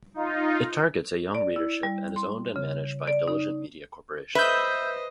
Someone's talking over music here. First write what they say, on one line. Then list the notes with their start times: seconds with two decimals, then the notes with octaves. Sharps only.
It targets a young readership and is owned and managed by Diligent Media Corporation.
0.14 D#4 F4
1.35 D5
1.56 E4
1.83 G3
2.16 C6
2.56 C#3
3.07 D5
3.28 D#4
4.35 B4 C5 D#5 E5 G6